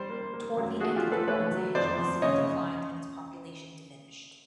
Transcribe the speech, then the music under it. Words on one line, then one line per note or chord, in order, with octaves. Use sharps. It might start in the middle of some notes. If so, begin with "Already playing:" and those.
Toward the end of the Bronze Age, the city declined and its population diminished.
Already playing: G3 C5 D5
A#3
A#3
F#2
A3 F#4 G#4
F4 G4
A3
A4 B4
A3 B4 C#5
F#3
F2 C5 D5
F2
C#3 C#5 D#5